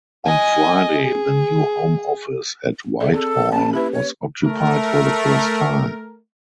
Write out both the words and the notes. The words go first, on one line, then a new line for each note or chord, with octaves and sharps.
On Friday the new Home Office at Whitehall was occupied for the first time.
D#5 G#5
G#4
G#4 A4 D5 E5
C4 G#4 A4
A#3 C#4 A5
E4 G4 B4
C#5
A3 A#4